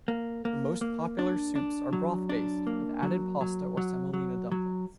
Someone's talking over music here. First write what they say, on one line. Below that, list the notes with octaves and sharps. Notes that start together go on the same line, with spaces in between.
The most popular soups are broth based, with added pasta or semolina dumplings.
A#3
A#3
A#3
D4
D4
F#3
D4
A#3
F#3
F#3
F#3
F#3
F#3